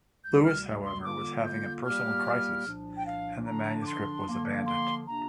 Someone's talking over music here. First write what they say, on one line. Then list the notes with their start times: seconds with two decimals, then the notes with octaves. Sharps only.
Lewis, however, was having a personal crisis and the manuscript was abandoned.
0.24 D2 C3 G3 G6
0.44 F6
0.84 C6
1.04 D3 G3 A#3 F4 D6
1.45 G6
1.84 A#2 G3 A#3 G4 F6
2.66 C2 A#2 F3 D4
2.97 G5
3.06 F5
3.46 D3 F3 D4 A#5
3.82 D6
3.86 C6
4.27 D3 F3 A#3
4.66 C6
5.07 C3 A#3 D4 F4 A#5